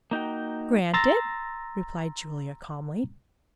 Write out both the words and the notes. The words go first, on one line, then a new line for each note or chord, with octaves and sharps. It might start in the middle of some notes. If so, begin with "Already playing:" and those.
"Granted," replied Julia calmly.
A#3 D#4 F#4 G5
A#5 C6 E6 A6 A#6